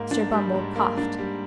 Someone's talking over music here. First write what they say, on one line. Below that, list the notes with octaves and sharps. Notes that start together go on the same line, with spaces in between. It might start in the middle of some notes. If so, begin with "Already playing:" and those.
Mr. Bumble coughed.
Already playing: G#2 A#3
D4
G3
G#2
A#3
D4
G3